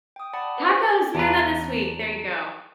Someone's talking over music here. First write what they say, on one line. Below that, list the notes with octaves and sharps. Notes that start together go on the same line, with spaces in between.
Tacos, we had that this week, there you go.
G5 D#6
D5 F#5 A5 B5
B4 C5
E2 B4 A5 A#5